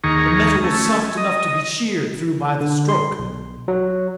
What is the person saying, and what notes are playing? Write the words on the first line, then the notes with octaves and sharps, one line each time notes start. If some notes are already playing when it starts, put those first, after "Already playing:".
The metal was soft enough to be sheered through by the stroke.
D#2 D#3 G#4 A#5 C#6
A3 C#4
D#5
D3
C6
B1
F#3